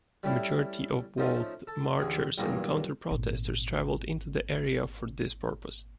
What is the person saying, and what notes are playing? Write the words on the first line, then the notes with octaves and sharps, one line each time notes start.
The majority of both marchers and counter-protesters travelled into the area for this purpose.
G3 A3 C#4 E4
F3 A3 C#4 D#4 C5
A4
A1 D2 G#4
B1 E2 G2 A#3 G#4 G#5
G#1 A#2